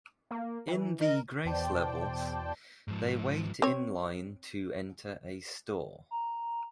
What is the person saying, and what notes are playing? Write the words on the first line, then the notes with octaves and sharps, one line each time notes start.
In the Grace levels, they wait in line to enter a store.
A#3
E3
A#4 D#5
E2 B2 C5 D5 G5 A5
G#2 F3
C4 C#5
A#5